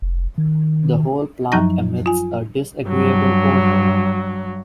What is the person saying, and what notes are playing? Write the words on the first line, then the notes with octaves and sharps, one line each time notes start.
The whole plant emits a disagreeable odour.
F1
D#3
F#2 F3 F#3 D#4 A#5 A#6
F4 G#5
G2 F#3